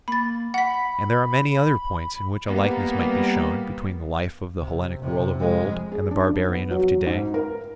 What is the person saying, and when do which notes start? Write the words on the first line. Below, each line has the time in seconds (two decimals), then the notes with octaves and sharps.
And there are many other points in which a likeness might be shown between the life of the Hellenic world of old and the barbarian of to-day.
0.08 A#3 B5 A6
0.54 F#5 B5 B6
2.45 G3 A#3 B3
4.60 C3
4.99 F1 C3
5.38 F2 G#3
5.92 G#4
6.11 D4
6.29 G2
6.48 B3
6.71 F#3
7.07 G#2
7.34 A#4